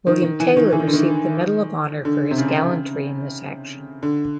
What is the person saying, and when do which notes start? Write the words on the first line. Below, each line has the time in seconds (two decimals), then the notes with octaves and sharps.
William Taylor received the Medal of Honor for his gallantry in this action.
0.07 D#3
0.23 D#3
0.40 E3
0.56 D#3
0.73 E3
0.80 D#3
0.87 D3
0.93 D#3
2.05 D3
2.31 C3
2.38 C#3
4.03 D3